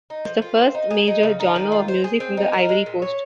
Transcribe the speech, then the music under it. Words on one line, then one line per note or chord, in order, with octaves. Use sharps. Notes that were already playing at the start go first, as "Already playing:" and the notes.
It was the first major genre of music from the Ivory Coast.
D#4
F3
F4
C5
D#4
G#4
D#4
C#3
D#4
D#3
F4
C5
G#4
C4
D#4
A#4
G#3
A#2
C#5